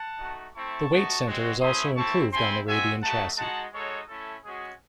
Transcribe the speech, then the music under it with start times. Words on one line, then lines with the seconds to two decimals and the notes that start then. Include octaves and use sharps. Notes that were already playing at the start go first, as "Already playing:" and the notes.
The weight center is also improved on the Radien chassis.
Already playing: F#5 A5
0.19 A3 D#4 F#4
0.54 A3 C4 E4 A5 C#6
0.90 A3 D#4 F#4
1.25 G#3 C4 F#4
1.60 A3 C#4 E4 C6 D#6
1.96 A3 C4 E4 A5 C#6
2.31 C4 E4 G#5 C6
2.67 G#3 C4 F#4 E5 G#5
3.02 A3 D#4 F#4 F#5 A5
3.38 G#3 D#4 F#4 F#5 A5
3.73 G#3 D#4 F#4 A4 C#5
4.08 A3 C#4 E4 A4
4.44 G#3 C#4 F#4 G#4